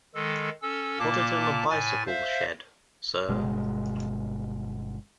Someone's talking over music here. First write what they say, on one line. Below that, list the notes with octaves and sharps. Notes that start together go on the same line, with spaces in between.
Put it in the bicycle shed, sir.
D#3 G#3 A4
C#4 A4 E6
A#2 A#3 A5 D6
A2 G#5 A6
C5 E5 F5
G1 B2 G#3